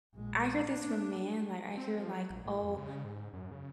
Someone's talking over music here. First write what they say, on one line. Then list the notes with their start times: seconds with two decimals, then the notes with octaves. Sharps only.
I hear this from men, like, I hear, like, "Oh,
0.15 A#1 G#3
0.65 A#3 D4
1.77 C4
1.97 F3
2.13 F#3
2.30 A#1
2.45 A2
2.62 F2
2.77 C#3
3.05 G#2
3.33 F#2
3.51 C#3